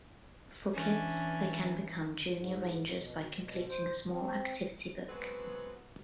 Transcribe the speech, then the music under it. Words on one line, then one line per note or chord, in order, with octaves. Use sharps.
For kids, they can become Junior Rangers by completing a small activity book.
E3 C#4 D4
G#2
B2
B2
C5
C4
F#3 G#3 B3 C4 A4 B4